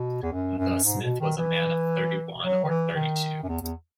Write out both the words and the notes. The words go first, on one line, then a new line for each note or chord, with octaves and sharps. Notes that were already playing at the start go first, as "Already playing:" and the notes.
The smith was a man of thirty-one or thirty-two.
Already playing: B2
E2
F#2
F#2
G#2
B2
D#3
E3
F#3
D#3
E3
D#3
F#2
E2
E2